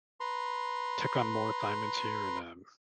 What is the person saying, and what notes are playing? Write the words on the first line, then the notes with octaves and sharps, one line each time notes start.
took on more assignments here and, um,
B4 A#5 C6